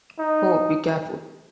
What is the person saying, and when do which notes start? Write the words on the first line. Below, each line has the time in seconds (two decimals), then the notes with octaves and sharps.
Oh, be careful.
0.19 D#4